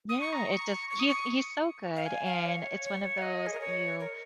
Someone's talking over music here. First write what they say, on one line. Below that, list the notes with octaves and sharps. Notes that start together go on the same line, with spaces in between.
Yeah, it does he's he's so good, and it's one of those you
D#6
C#6
A#5
C#6
C#6
D#6
C#6
F5
G#5
F5
C#5
C#5
F5
D#5
G#4
A#4
C#5
A#4